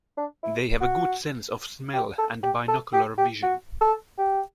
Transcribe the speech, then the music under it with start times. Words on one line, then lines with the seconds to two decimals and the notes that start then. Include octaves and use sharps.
They have a good sense of smell and binocular vision.
0.17 D4
0.43 E4
0.81 F#4
1.93 G4
2.18 A4
2.43 G4
2.68 A4
2.93 G4
3.18 G4
3.43 F#4
3.81 A4
4.18 G4